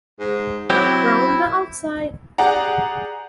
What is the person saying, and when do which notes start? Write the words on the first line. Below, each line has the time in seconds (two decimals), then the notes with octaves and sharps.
Round the Outside!
0.19 G#2
0.70 F#3 C4 E4 G4
2.38 G4 G#4 D5 F#5 A#5